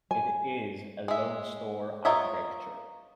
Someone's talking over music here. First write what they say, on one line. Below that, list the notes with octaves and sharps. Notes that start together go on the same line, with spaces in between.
It is a load-store architecture.
G#5
G#3 E5
F4 A#4 C#5 D#5 E5